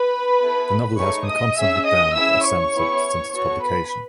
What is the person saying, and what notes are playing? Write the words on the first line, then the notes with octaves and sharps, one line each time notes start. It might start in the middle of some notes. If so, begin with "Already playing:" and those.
The novel has been constantly banned or censored since its publication.
Already playing: B4 B5
B3 E4 A4
A3 D#4 G#4 C#5 C#6
D#5 D#6
C#4 G#4 E5 E6
D#5 D#6
C#4 E4 G#4 E5 E6
C#5 C#6
B3 E4 G#4
B3 F#4 A4 C#5 C#6
B4 B5